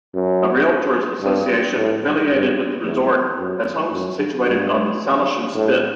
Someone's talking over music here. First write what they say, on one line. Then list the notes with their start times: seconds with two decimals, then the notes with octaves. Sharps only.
A realtor's association affiliated with the resort has homes situated on the Salishan Spit.
0.14 F#2
1.22 G2
1.77 A2
2.30 G2
2.84 E2
3.39 F#2
3.93 F#2
4.47 G2
5.55 A2